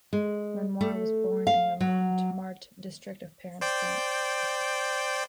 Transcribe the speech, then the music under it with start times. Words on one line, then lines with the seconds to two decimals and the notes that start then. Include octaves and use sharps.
Renoir was born in the Montmartre district of Paris, France.
0.13 G#3
0.81 A3
1.47 F5
1.80 F#3
3.61 C5 D5 G5